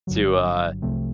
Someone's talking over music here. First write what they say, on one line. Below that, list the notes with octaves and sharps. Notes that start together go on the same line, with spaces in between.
to, uh,
G1 G2 D3 F#3
C2 C3 F3 A3 C4